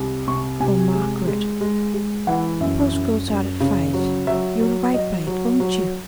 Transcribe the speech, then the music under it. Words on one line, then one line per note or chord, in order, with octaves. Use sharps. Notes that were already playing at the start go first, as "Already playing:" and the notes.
Oh, Margaret! the post goes out at five--you will write by it, won't you?
Already playing: C2
C3 C#6
C3 G#5
G#3
G#3
G#3
G#3
E3 F#5
F#2 E5
F#2
F#2
C#3
F#3
F#3 E5
F#3
F#3 D#5
F#3
F#3